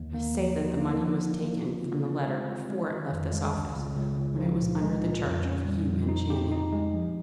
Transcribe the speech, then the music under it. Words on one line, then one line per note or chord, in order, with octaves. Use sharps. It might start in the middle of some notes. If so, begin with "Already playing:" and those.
"I say that the money was taken from the letter before it left this office, when it was under the charge of you and Channing."
Already playing: D#2
A#3
F3
D#4
A#3
F3
F3
A#3
F4
C#3
C4
G#3
G#3
G#3
D#3
F2
G#3
C#2
C#2
C#2
C#2
F3
A#2
G#3
A#2
F2
C#4
G3
F2
D#4
G4
D#4
G#3
F3